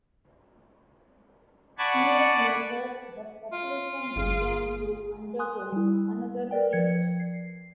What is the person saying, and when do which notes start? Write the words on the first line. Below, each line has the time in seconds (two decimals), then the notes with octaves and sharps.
Years later the population began to undergo another change.
1.78 D5 F#5 G#5 A5 B5 C#6
3.53 F4
4.16 G1 G#4
5.39 G#5 C6 D#6 F#6
5.72 G3 E4
6.51 A#4 B4 D5 G5
6.73 F3 D5 G#6 C#7
7.20 C7